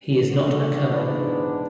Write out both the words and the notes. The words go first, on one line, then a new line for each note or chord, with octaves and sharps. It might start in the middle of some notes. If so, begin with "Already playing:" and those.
He is not a Kohen.
D3 A3 D4 F#4
G#2 E3 B3 D4